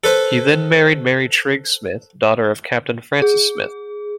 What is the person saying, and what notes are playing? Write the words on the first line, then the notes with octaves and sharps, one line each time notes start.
He then married Mary Trigg Smith, daughter of Captain Francis Smith.
A4 B4 C5
G#4